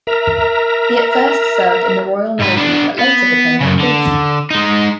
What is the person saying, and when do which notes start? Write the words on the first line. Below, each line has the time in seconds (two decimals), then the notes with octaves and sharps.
He at first served in the Royal Navy but later became a priest.
0.07 A#4 E5 A#5
2.39 G#2 B4
2.57 B3 D4
2.99 B3
3.60 F#2 C#3
3.79 D3
4.51 G#3 D#4